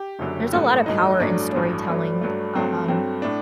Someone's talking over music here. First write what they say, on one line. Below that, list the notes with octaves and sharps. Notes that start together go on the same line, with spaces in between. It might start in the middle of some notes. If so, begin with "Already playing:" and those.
there's a lot of power in storytelling, um,
Already playing: G4
F#1 F#2 D3 F#3
A1 G2 F#3 A3 F#4
A1 G2 F#3 A3 D#4
A1 G2 F#3 A3 D4
A1 G2 F#3 A3
G2 F#3 A3
G2 F#3 A3
G2 F#3 A3 C4
G2 F#3 A3 C4
A2 A3 D4